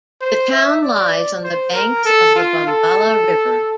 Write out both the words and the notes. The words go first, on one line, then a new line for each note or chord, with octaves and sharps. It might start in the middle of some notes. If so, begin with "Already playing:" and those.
The town lies on the banks of the Bombala River.
C5
E5
D5
C5
A#4
A4
F4
A4